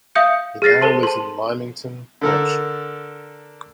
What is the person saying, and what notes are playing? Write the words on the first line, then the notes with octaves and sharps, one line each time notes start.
He now lives in Lymington, Hampshire.
E5 F5 D#6 G6 C#7
G#4 F6 A6 A#6 C7
A4 A#4 C5 A5 C6
A5 C6
D3 A4 A#4